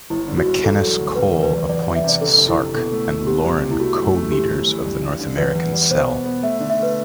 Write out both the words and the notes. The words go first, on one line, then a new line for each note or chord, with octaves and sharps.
McKenas Cole appoints Sark and Lauren co-leaders of the North American cell.
G1 E4
D3
F#4
G1
E1 A4
F#3
D2
C3 B4
E2
B4
E2
E2 D5
G3 D5
E5
C3 D5
D3 A4
F#1
E4
F#1
B2 A4
A3
B2
B3 G4
C2
C3
E4
A3 F#4
F#2
A3
E3 G4
G1
E3
G2
G2
D3
E2 B4
E2
G3
B2 C5
B3
B3
A3 E5
D3
E5
A3 B4